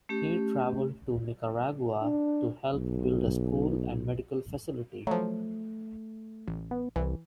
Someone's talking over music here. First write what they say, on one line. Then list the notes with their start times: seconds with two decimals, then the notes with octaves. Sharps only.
He travelled to Nicaragua to help build a school and medical facility.
0.09 A3 C#4 G4
2.02 D4
2.73 B1
5.07 F3 F#3 A3
6.48 A1
6.71 B3
6.96 C2 E3